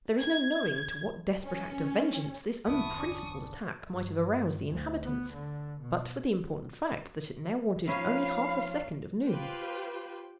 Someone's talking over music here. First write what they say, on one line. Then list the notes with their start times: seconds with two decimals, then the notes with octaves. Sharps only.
There is no knowing to what desperate act of vengeance this unprincipled attack might have aroused the inhabitants, but for the important fact that it now wanted only half a second of noon.
0.21 G#6
1.45 C#4
2.67 G1 E2 D3 B3 E4 A5 C#6 D#6
2.97 C#4 D4 D5
3.89 G2
4.70 D2
5.04 B3
5.34 D3
5.81 B2
7.88 F3 C#4 D#4 F5 B5
9.23 F4 G4 B4 C5 G5